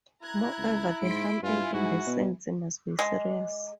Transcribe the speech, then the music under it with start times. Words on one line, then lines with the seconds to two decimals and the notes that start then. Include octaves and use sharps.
Moreover, the harm in indecency must be serious.
0.23 E4 A#5 F#6 G#6
0.58 C#2
1.01 G#2 C6 B6 D7
1.43 G2 E4 F4 G#5
1.74 G#2 F#4
2.07 B2
2.99 G#3